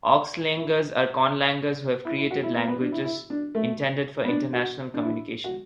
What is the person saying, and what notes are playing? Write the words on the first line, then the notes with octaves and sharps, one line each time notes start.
"Auxlangers" are conlangers who have created languages intended for international communication.
E4
E4
E4
F#4
E4
B3
B3
D4
E4
E4
D4
A3
B3
D4
F#4
D4
E4
F#4